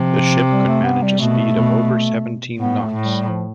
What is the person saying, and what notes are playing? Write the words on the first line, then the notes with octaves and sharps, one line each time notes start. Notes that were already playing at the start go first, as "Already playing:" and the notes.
The ship could manage a speed of over seventeen knots.
Already playing: C3 F3
G3
A3
B3
G3
B2 A3
B2
A2 B3
A3
A2
G3
F3